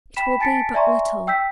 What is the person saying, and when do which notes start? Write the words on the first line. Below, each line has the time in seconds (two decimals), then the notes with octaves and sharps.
It will be but little.'
0.16 G5 B5 B6 E7
0.40 G#5 A5 A6 B6 C#7 D7
0.74 D5 E5 G#5 A#5 C6 C#6
1.27 G5 E6 G6 B6